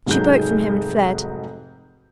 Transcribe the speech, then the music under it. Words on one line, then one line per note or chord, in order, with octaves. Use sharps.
She broke from him and fled.
F1 G#2 F#3 G#3 D#4 G6